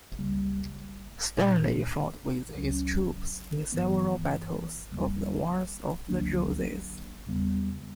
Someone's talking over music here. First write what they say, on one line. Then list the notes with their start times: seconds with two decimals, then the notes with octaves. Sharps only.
Stanley fought with his troops in several battles of the Wars of the Roses.
0.19 C#2 C#3 G3 A#3
1.37 A#2 A#3 D4
2.55 C#2 C#3 F#3 C#4
3.72 G2 E3 B3
4.91 E2 C#3 G3 A#3
6.09 D2 D3 F#3 A#3 D4
7.26 E2 C#3 G3 B3